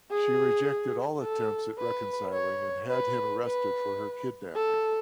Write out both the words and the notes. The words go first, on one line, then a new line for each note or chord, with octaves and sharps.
She rejected all attempts at reconciling and had him arrested for her kidnapping.
G#4
A4
B4
C#5
B4
B4
A4